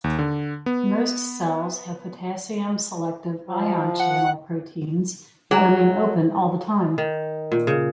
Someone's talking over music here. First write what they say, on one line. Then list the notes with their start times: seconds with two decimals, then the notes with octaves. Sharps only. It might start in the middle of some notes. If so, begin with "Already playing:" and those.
Most cells have potassium-selective ion channel proteins that remain open all the time.
0.04 D#2
0.19 D3
0.66 B3
3.49 F3
4.00 F#5
5.51 F#3 G#4 G#5 A#5
6.98 D#3
7.52 A#2
7.67 C#3